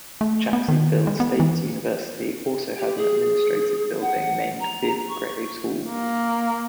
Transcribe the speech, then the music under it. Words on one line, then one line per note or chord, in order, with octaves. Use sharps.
Jacksonville State University also has an administrative building named Bibb Graves Hall.
A3
B3
D#3
G#3
B3
E3
G4
G#4
F#5
A#5
C#6
A#3